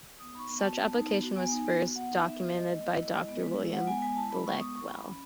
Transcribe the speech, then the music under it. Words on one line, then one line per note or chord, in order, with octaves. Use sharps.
Such application was first documented by Doctor William Bleckwell.
B3 D#6
D#4 B5 C#6
B3
F#4 A5
B3
D#4
B3
F#4
B3 G#5
D#4
B3
F#4
B3 F#5
D#4
B3 E5
F#4
G#3 D#5
B3
G#3
E4
G#3
B3
G#3
E4
G#3 F#5
B3 G#5
G#3 G#5
E4 A5
G#3 B5
B3 C#6
G#3 D#6
E4 C#6
F#3 B5
C#4